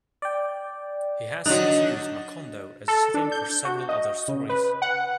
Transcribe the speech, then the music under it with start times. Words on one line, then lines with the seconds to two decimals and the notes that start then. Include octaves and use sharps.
He has since used Macondo as a setting for several other stories.
0.22 D5 G5
1.46 D3 F#3 D4 D#4 D#5 F#6
2.88 A4
3.14 D4
3.32 G6
3.65 F#4
3.89 D#5
4.28 C#3
4.49 B4
4.82 F#5